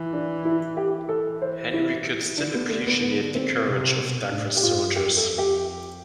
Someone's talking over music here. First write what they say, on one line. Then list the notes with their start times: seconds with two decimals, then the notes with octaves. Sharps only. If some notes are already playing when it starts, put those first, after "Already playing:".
Henry could still appreciate the courage of Dacre's soldiers.
Already playing: E3
0.13 D4
0.45 E4
0.77 G4
1.09 E3 A4
1.42 C5
1.73 E4
2.38 D3 D4
2.54 B3
2.69 A3
2.87 B3
3.02 B3
3.35 C4
3.67 C3
3.99 B2
4.31 A2 D4
4.57 G4
4.63 G2 F4
4.95 F2 G4
5.17 A4
5.38 G4